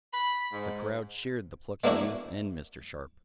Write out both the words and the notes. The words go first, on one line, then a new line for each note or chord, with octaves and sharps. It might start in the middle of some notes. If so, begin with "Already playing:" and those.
The crowd cheered the plucky youth and Mr. Sharp.
B5
G#2
G#3 A#3 B3 D4 E4 F#4